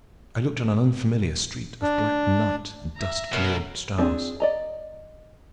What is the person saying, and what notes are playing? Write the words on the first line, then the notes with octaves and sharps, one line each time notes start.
I looked on an unfamiliar street of black night and dust-bleared stars.
D4
E5 A#5
B2 B3 C#4 A#4
G3 C4 D4 F4 G#4
D5 D#5 A#5